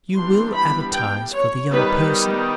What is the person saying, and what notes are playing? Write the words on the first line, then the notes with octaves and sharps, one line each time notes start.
"You will advertise for the 'young person'?"
E3 G3 B3 D4 C6
B5
G5
C#5
D#3 G3 B3 D#4 B4